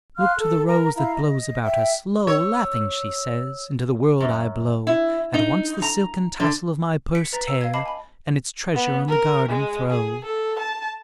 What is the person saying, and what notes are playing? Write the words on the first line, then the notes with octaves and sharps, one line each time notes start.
Look to the Rose that blows about us--"Lo, Laughing," she says, "into the World I blow: At once the silken Tassel of my Purse Tear, and its Treasure on the Garden throw."
F5 C6 F6 F#6
A4
A#4 A#5
E4 F5 A#5
D#5
E5 G5
C#5 E6
F#2
E4
D#4
A#5
D3
B6 C#7 D7
B4 A#5 A6 B6
E6
F5 G#6
D#5 A5 B5 D6 C7
G#5 B5
B3
A#4
G#3
G#4
A4
A5